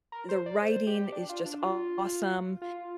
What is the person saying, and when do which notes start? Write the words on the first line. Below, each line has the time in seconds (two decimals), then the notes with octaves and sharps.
the writing is just awesome,
0.12 A#4
0.29 C5
0.46 D5
0.62 C5
0.87 G4
1.12 D4
1.29 F4
1.46 D4
1.62 F4
2.62 F4